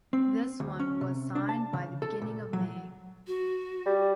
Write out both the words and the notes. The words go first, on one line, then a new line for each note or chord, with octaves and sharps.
This one was signed by the beginning of May.
C4
D2
C#4
C3
D4
A5
C#3
A4
A#2
F#3
F#4
G3